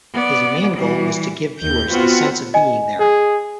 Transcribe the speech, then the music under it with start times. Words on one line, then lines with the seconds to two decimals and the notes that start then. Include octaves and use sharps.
His main goal was to give viewers the sense of being there.
0.13 B3 D5
0.76 E3 G3
1.58 D#2 G6
1.87 B3 C4 F4 F#4 F#5
2.54 D#5 G#5
2.99 G#4